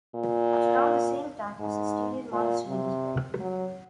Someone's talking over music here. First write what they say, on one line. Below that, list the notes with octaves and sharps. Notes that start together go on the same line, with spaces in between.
At around the same time a Cistercian monastery was built.
A#2
G#2
A#2
C3
F#3